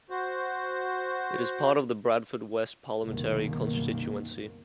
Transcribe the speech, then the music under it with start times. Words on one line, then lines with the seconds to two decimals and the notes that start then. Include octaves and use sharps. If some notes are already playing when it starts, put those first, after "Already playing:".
It is part of the Bradford West parliamentary constituency.
0.10 F#4 C5
3.03 F#1 C2 F#2 B2 D#3 A#3